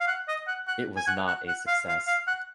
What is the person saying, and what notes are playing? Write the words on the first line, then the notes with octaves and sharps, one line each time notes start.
It was not a success.
F5
F#5
D#5
F#5
F#5
G#5
F#5
F#5
F#5
F5
F5
F5
F#5